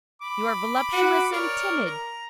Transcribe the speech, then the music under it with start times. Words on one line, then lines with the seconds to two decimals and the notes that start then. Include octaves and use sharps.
You are voluptuous and timid!
0.22 B5 D6
0.93 F#4
1.32 A#4 C#5 D5
1.86 A#5